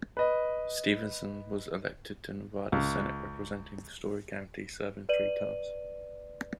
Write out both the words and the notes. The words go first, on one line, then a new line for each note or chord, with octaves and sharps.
Stevenson was elected to Nevada Senate representing Storey County, serving three terms.
B4 D#5
C#2
B4 D5 D#7 F#7